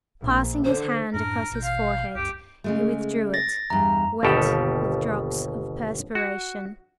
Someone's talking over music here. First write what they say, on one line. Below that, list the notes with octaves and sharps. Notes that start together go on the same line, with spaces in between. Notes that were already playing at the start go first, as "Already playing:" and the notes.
Passing his hand across his forehead he withdrew it, wet with drops of perspiration.
A#1
D3 C5
F#2 A2 D4 A#4
A1 B2 G6
F5
C2 F#2 G4
C#3 G#3 A3
A6 A#6
E2 G2 A#5
G1 D#2 B2 G4 A4
F#4